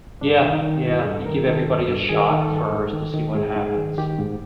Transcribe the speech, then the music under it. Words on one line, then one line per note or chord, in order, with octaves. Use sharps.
Yeah, yeah, you give everybody a shot first to see what happens,
G2 D4
D#3
D#4
D#3
G2 E4
G#4
G2 A4
D#3 A#4
D#3 A4
G2
G2
D#3 G#4
A#4
A4
D#3
A4
G2
A4
G#2
D#3
D#3
G#2 G#4
G#2
G#4
D#3
D#3 G4
G#2